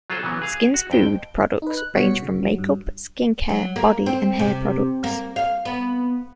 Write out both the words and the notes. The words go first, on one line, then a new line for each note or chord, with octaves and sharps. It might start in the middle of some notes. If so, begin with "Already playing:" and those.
Skin Food's products range from makeup, skin care, body and hair products.
F#3 F4 G#4 A4 C5
C#3 E3 F#3 B3
G#4 F5
F#4
F2 G5
D#4 B4
F#6
G2 B2 F#4 C#5 B6 C#7
C#3
F#3
G2
F#3
A#3
C4
C3
A#3
F5
B3